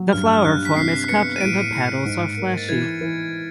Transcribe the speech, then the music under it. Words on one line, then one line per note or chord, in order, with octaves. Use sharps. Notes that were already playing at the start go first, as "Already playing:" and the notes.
The flower form is cupped and the petals are fleshy.
Already playing: F#3
G2 F6
F6
G2 F#6
B6
C3 C7
B3 C#7
D#7
A2 D7
A2 C#7
G#2
A#3
A6
E3 G#6
E3